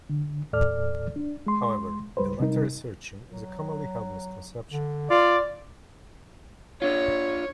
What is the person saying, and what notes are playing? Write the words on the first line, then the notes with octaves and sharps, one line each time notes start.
However, the latter assertion is a commonly held misconception.
D3
D#2 A2 A4 D5 F6
D4
G#3 C6
C#2 G3 B4 C5
C3 G3 D#4 A#4
F#3
D3
F4 D5
D4 F4 C#5